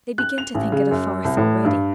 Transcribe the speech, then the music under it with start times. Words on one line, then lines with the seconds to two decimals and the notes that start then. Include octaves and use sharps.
They begin to think it a farce already.
0.18 F#6
0.38 F7
0.55 A1
0.72 C#3
0.91 F#2
1.24 C2
1.37 A2
1.65 G2